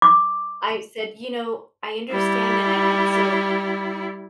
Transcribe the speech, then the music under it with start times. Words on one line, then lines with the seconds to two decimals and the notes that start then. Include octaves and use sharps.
I said, "You know, I understand, and I I'm so
0.02 D6
2.11 G3 E4